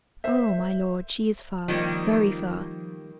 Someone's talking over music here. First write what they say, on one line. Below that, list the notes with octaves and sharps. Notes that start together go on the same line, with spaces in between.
'Oh, my lord, she is far, very far.
C5 E5
D#3 F3 G3 A#3